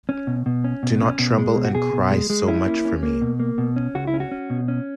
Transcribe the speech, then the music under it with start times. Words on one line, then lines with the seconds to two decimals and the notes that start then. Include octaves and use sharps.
Do not tremble and cry so much for me.
0.09 C#4
0.27 B2
0.46 B2
0.64 C#4
0.83 B2
1.01 C#4
1.19 B2
1.38 G#3
1.56 B2
1.65 F#4
1.74 B2 G#4
1.93 B2
2.11 G#3
2.30 G#3
2.48 C#4 E4
2.66 A#3
2.85 C#4
3.03 A#3
3.21 B2
3.40 A#3
3.58 B2
3.76 C#4
3.95 C#2 F#4
4.07 E4
4.14 C#4
4.20 F#4
4.31 C#4
4.50 B2
4.68 C#4